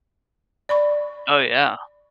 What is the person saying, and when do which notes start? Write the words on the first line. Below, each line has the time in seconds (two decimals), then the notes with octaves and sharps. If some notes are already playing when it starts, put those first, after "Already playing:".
Oh, yeah.
0.69 D5 B5 C#6